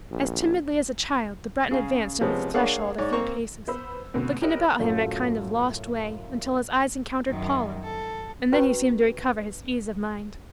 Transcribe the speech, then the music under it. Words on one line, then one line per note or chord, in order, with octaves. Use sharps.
As timidly as a child the Breton advanced over the threshold a few paces, looking about him in a kind of "lost" way until his eyes encountered Paula, and then he seemed to recover his ease of mind.
A#1
C#3 G#4 F5
C3 F3 G#3 B3 C#4
A#3 D4 G#4 C#5 F5 F#5
G#2 C#5 D5
A#3 C4 A#5 C#6
B3 C5 B5 E6
B2 D3 A3 B3 C4
G4 A#4 B4 C#5 D#5 E5
F#2 A2 F#3 A3 F4 F#4
F#2 D#3
A4
C#4 F#4 B4 G5 A#5 C#6